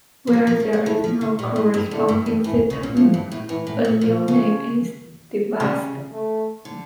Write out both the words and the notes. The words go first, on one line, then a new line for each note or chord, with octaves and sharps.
Where there is no corresponding system, a new name is devised.
F3
G3 A#3
F3
A3
A3
E3 A3
F3
D3
A#2 G3
A2
G2
A2 D3
G2
G2
A2 E3
C#3
A#2
A2 F3
G2
A2
A2 E3
A2
A#2
A#2 F3
C#3
C#3 G3
A3
D3